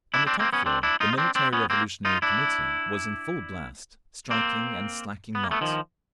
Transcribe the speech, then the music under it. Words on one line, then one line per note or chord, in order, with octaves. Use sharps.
On the top floor the Military Revolutionary Committee was in full blast, striking and slacking not.
D4 E4
C4 D4
A#3 C4
B3 C#4
C4 D4
D4 E4
D#4 F4
D#4
C4 D4
C4 D4
B3 C#4
A#3 C4
D#4 F4
D4 E4
A#3 C4
B3
A#3
A3 B3
D#3 F3